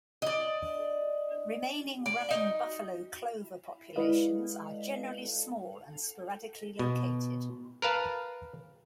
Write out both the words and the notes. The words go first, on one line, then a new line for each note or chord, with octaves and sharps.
Remaining running buffalo clover populations are generally small and sporadically located.
D5 D#5
D5
D#4
G#3 E4 B4 D5 D#5 F5
B2
A#4 B4 F5 A5